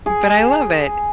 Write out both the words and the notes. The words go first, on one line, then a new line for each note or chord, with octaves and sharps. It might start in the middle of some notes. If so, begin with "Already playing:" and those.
but I love it.
G#4